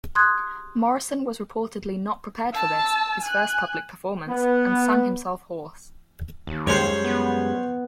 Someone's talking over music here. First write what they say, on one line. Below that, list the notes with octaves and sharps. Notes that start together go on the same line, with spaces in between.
Morrison was reportedly not prepared for this-his first public performance-and sang himself hoarse.
C6 D#6 F#6 G#6
A5 E6
G#5 F#6
B3
D#2
F#2 G3 G#3 C5 C#5
B3